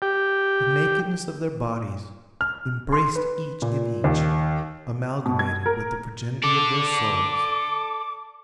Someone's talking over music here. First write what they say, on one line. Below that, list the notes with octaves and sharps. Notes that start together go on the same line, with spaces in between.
The nakedness of their bodies, embraced each in each, amalgamated with the virginity of their souls.
G4
F6
C6
B4
A#2
D#2
B2
G#6
A#4
A4 D5 D6